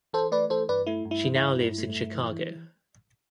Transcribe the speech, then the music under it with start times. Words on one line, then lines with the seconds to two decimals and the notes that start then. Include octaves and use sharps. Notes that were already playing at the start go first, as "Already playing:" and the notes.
She now lives in Chicago.
0.13 E3 A4 C5
0.32 A3 B4 D5
0.50 E3 A4 C5
0.69 G2 B4 D5
0.86 A3 E4
1.05 G2
1.11 E4
1.24 E3
1.36 E4
1.41 G2
1.60 G2
1.78 A3
1.95 G2
2.15 E3
2.32 E3